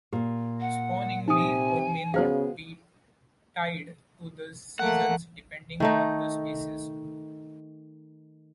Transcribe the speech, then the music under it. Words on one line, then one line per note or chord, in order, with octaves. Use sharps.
Spawning may or may not be tied to the seasons, depending on the species.
A#2 G4
F#5
C3 D#4 G#5 D#6
C#3 B3 F#4 G#4 C5 F5
A3 A#3 F#5
D#3 A3 D#4